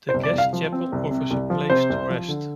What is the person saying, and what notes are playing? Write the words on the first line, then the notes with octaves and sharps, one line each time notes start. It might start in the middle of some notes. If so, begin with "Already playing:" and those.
The guest chapel offers a place to rest.
C5
C2
D5
C2
F5
F3
C4
C2
C3
C2
F3
C3 C5
C2
F3
D3